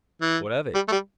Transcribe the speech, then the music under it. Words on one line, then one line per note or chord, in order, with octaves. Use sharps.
"What of it?"
E3
G3
A3
G3